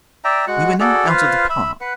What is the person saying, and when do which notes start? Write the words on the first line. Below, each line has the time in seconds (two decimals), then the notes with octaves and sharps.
We were now out of the park.
0.24 D5 E5 G5 A#5
0.47 G#3 F#4 F#5
0.80 F#4 G#4 A4 D5
1.08 F4 B4 C5 F5
1.50 E5 B5
1.81 B4 F#5